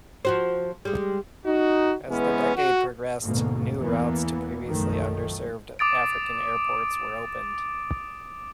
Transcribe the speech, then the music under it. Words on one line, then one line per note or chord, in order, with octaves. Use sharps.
As the decade progressed, new routes to previously under-served African airports were opened.
F3 F#4 C5
G3 G#3
D#4 F#4
E3 G#3 B3 C#4
F#4
D2 G#2 B2 A#3
E2 E3 A#3 B3
B1 F#2 D#3 F3 A3
D6 D#6 A6 D7